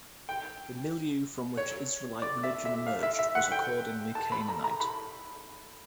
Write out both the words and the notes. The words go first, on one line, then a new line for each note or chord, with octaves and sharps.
The milieu from which Israelite religion emerged was accordingly Canaanite.
G5
C#5
D5
E5
E5
F5
E5
E5
F#5
G5
A5
B5
A#5
A#5
B5